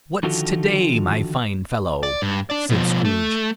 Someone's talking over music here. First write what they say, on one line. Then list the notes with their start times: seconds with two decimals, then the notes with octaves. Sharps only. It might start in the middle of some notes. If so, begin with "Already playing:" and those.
"What's to-day, my fine fellow?" said Scrooge.
0.23 D3 D#3 F3 F4 F#4 A4
2.03 D5
2.22 G2
2.50 D4 D5
2.70 B2 F3
3.05 A3